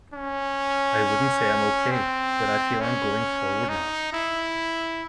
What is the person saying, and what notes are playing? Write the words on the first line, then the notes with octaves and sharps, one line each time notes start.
I wouldn't say I'm okay but I feel I'm going forward now.
C#4
C4
C#4
D#4
E4